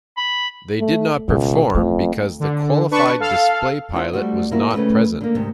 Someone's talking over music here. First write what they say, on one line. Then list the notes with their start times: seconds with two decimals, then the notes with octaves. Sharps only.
They did not perform because the qualified display pilot was not present.
0.17 B5
0.79 A3
1.28 C#2 B2
1.75 F2 A3
2.40 D3
2.91 D4 B4 A5 C#6
3.20 A4 F5
3.93 E4 F4 B4 C5
4.13 G3 A3 C4 F#4
4.51 C3 A#3 E4 F#4
4.73 C#3 A3 C4 B4
5.21 D3 A#3
5.35 D2 G#2 C3 D#3